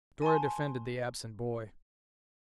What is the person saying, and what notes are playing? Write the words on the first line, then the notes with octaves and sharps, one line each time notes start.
Dora defended the absent boy.
G#5 A5 C6